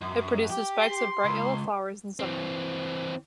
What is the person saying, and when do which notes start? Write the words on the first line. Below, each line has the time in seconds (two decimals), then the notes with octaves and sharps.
It produces spikes of bright yellow flowers in summer.
0.01 F#2
0.50 G4
0.81 C6
1.24 C#2
2.20 E3 C4